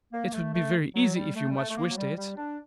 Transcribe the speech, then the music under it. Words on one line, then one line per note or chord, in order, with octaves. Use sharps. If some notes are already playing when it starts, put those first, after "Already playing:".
"It would be very easy if you much wished it?"
A#3
A3
A3
F#3
G3
A3
G3
A3
A3
A#3
F#3
G3
G3
D4